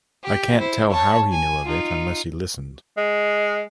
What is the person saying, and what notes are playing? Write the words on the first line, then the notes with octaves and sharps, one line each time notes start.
I can’t tell how he knew of it, unless he listened.
G4
E4 C5
C#5 A5
G#5
D#4 F4
G#3